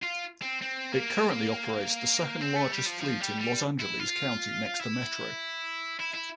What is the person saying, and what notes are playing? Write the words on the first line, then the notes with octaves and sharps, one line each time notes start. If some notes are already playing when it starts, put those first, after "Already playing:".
It currently operates the second-largest fleet in Los Angeles County next to Metro.
F4
C4
C4
A#3
C4
A3
G3
F3
F3
G3
G3
E4
F4
E4
E4
E4